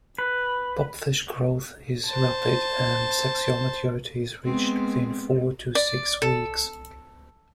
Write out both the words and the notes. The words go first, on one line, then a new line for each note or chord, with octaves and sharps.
Pupfish growth is rapid and sexual maturity is reached within four to six weeks.
B4
C5 A5
G#3 B3 C4
D5
A4